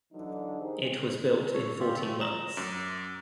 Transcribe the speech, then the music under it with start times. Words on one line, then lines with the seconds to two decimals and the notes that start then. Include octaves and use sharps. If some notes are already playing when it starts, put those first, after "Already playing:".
It was built in fourteen months.
0.13 D3 E3 F#3 D4 D#4
0.60 D#4 G4 G#4 A#4 C5
1.54 A4 C#5
1.80 C4 F4 G4
2.01 A3
2.21 A#5 E7
2.57 F#2 D6